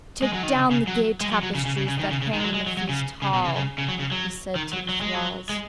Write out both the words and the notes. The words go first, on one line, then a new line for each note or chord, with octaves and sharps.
"Take down the gay tapestries that hang in the feast hall," he said to the thralls.
G#3
F#3
D#3
C#3
C#3
F#3
G#3
F#3
F#3
C#3
C#3
C#3
C#3
D#3
C#3
C#3
D#3
G#3
F#3
G#3
F#3
F#3
C#3
C#3
B2
C#3
C#3
C#3
F#3
C#3
F#3
D#3
F#3
F#3
G#3
F#3
G#3